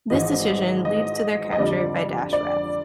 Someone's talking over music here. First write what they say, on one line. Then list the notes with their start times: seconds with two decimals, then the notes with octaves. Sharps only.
This decision leads to their capture by Dashrath.
0.10 G#1 G#2 E3 D#5
0.85 D#5
1.53 D#5
1.58 F2 D3 G3 D5
2.33 D5